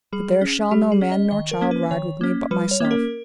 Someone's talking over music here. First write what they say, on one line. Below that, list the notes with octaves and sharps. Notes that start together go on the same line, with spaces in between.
But there shall no man nor child ride with me, but myself.
G3 G#4
C#4
G3 G4
G#4
C#4
D#5
D#3 D#5
A#4
A#3 C#4
B4
D#3 C#5
A#3 C#4
G3 B4
C#5
A#3 C#4
A#4